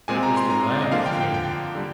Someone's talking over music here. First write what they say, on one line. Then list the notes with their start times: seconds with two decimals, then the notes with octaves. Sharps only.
It was the land of Canaan.
0.08 A#2 G#3 C4 G#5
0.23 A#5
0.37 C6
0.50 A#5
0.60 C6
0.71 D5
0.81 D#5
0.92 D3 F3 A#3 F5
1.06 G5
1.20 G5
1.34 G5
1.75 D3 G3